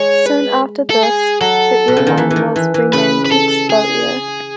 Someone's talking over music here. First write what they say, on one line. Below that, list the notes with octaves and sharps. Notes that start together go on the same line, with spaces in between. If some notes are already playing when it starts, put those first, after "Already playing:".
Soon after this, the airline was renamed ExpoAir.
Already playing: G#3 C#5
B4
A4
G#4
F#3 A4
B2
C#3
D#3
E3
E3
D#3
E3
E3
C#3 B4
B4
A4
G#4